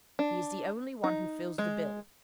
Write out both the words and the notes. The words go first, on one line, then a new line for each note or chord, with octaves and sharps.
He is the only one who fills the bill.
D4
D#4
G#3